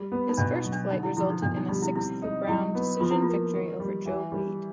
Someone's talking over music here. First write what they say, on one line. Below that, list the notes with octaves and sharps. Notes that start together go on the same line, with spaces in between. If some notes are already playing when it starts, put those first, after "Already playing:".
His first fight resulted in a sixth-round decision victory over Joe Wade.
Already playing: G3
B3
D#4
B2 D4
D#4
F#3
D4
D3 D#4
E4
F3 E4
D#4
B2 D4
D#4
G3 D#4
E4
C4 E4
D#4
F#3 E4
B3
F3 F4
E4
F4
A#3
D#3
G3
E3
G3